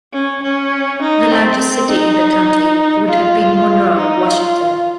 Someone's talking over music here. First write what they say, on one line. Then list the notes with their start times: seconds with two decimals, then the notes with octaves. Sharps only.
The largest city in the county would have been Monroe, Washington.
0.13 C#4
0.43 C#4
1.02 D#4
1.31 C4
1.61 C4
1.90 D#4
3.08 F4
3.97 D#4
4.27 F4